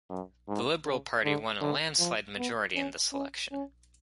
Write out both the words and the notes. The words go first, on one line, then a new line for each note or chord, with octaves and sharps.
The Liberal Party won a landslide majority in this election.
F#2
G#2
C#3
D3
D3
F3
B3
C#4
C#4
C#4